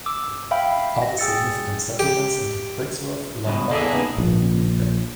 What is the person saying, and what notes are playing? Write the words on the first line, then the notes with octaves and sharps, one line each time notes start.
Other significant settlements include Brixworth, Long Buckby and Weedon Bec.
D6 E6
E5 F5 G5 B5
A#6
G#4 G5 E6 A6 C#7
G4
C#2 G2 B2
E2 A#3 D4 G#4 A4 E5
B3 D#4
A#1